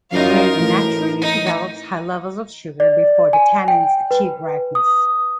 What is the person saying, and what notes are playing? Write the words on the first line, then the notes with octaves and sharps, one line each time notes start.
The grape naturally develops high levels of sugar before the tannins achieve ripeness.
F#2 D#4 F4 A#4 F5
A2 E3
D#4
D5
G#5
G5
B4
D#6